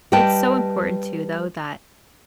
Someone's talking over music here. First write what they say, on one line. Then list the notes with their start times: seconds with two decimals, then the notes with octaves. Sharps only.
it's so important too, though, that
0.12 G3 B4 D#5 G5 A5